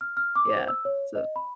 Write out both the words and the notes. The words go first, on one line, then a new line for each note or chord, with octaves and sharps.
Yeah, so
F6
F6
D6
C5
E6
C#5
D#5
B5